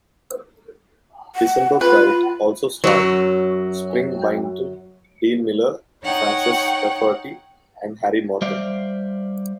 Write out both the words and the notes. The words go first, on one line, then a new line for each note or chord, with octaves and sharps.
"December Bride" also starred Spring Byington, Dean Miller, Frances Rafferty, and Harry Morgan.
F#5
F4 B4
F#2 F#3
D#4 C#5 F#5 G5
G3 C5 D5 E5 F5